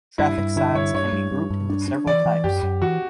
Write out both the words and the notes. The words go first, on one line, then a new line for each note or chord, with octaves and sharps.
Traffic signs can be grouped into several types.
G2 E4
G2
D3 E4
G2 C#5
G2 C#5
G2
G2
G2
D4
D4
E3 D5
E3
F#2 G4
F#2
E3 F#4